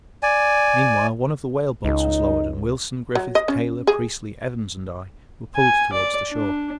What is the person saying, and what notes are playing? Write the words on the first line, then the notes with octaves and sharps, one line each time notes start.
Meanwhile, one of the whale boats was lowered and Wilson, Griffith Taylor, Priestley, Evans, and I were pulled towards the shore.
D5 G#5
C#2 D#4
F#3
D#5
C#4
G#4
G#5
D5
D4